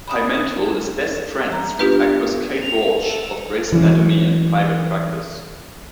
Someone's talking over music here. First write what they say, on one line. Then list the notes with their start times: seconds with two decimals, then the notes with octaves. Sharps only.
Pimental is best friends with actress Kate Walsh of "Grey's Anatomy" and "Private Practice".
0.08 B5 D#6
1.52 A#5
1.79 B3 D4 F4 G4 B4
2.62 F7
3.02 A4
3.72 E3 F#3 A#3 C#4